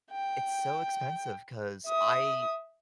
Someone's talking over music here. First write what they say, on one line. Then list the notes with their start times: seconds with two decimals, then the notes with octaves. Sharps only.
it's so expensive 'cause I
0.11 G5
1.87 E5 D#6